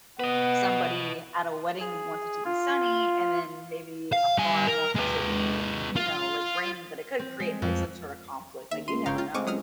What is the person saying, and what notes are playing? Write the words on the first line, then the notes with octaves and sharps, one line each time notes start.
somebody at a wedding wants it to be sunny and then maybe a farm wants it to be, you know, like, raining, but it could create, like, some sort of conflict, like, you never know.
B3 B4 D#5 F#5
G#4
F4
F5
G3 G#5
A#4
G#3 B4
F4
C4
G#3
F2
D#2 E5
C#2 C6 D#7
G1 C#3 C#5 F5 G5 A#5
F4
G#3 A3 C4 C#6 D6 D#7
C#2 F#3 D#6 F6